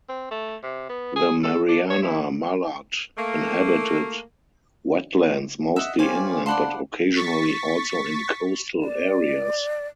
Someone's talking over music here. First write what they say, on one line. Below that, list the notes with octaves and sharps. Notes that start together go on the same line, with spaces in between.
The Mariana mallard inhabited wetlands, mostly inland but occasionally also in coastal areas.
C4
A3
C3
B3
G#4
A4
D4
C#5
E4
A3 A#3
D#5 E5 F#5
C#4 F4 G4 C5 D5 G#5
D4 D5 F5 F#5 A5 B5 C6
C#6 A6 B6
D5